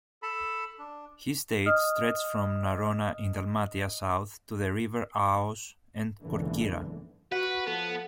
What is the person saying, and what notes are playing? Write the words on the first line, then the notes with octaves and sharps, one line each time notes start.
His state stretched from Narona in Dalmatia south to the river Aoos and Korkyra.
A4 A5 B5
D4
D#5 D#6 F6
F#1 B1 G#2 D3 E3
F#4 B4 F#5
F3 B3 A4